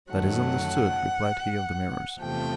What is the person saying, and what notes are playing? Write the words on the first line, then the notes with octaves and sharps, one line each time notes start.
"That is understood," replied he of the Mirrors.
F#2 D#3 F#3 A3 F#5
E2 C3 F3 A3 G5